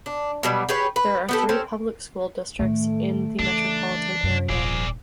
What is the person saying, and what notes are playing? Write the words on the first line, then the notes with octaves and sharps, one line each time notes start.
There are three public school districts in the metropolitan area.
D4
B2 F#3 G3
G4 G#4 B4 C#5
B4
B3 G4 A4
C4 C#4 G4
A2 D#3 A3
C#3 E3 D4
F#2 C3
D#1 G#1 F3 G#4 D5